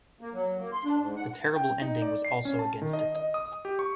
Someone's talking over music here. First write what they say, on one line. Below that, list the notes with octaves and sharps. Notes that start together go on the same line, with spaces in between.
The terrible ending was also against it.
A#3
F#3
A#3
C6
D4
G#2
F#5
G5
D#4
D5
C7
C#4
A5
D#3
D#5
D#5
D#6
G4
C#6